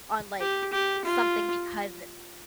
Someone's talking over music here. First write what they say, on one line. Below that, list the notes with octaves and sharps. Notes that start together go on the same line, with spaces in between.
on, like, something because it's
G4
G4
F4